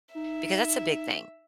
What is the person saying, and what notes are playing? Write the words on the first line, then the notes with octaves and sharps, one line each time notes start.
because that's a big thing.
D#4 E5